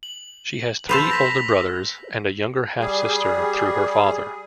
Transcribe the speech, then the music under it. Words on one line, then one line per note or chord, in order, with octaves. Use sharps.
She has three older brothers and a younger half sister, through her father.
F#7
B4 C5 A5 E6 F7
A#6 B6
G3 G#4